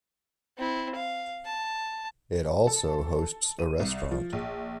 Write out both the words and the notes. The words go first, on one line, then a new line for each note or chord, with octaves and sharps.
It also hosts a restaurant.
C4 E4
F5
A5
A4
D#7
C2
F3
A#1